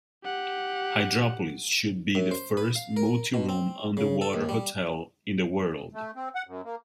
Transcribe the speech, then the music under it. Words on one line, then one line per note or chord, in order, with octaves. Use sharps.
Hydropolis should be the first multi-room underwater hotel in the world.
G4 F#5
F#2
C5
B4
F5
A#4
B2
C4
C#3
A4
D#2
G3
A3
C4
F#5
F#2
A#3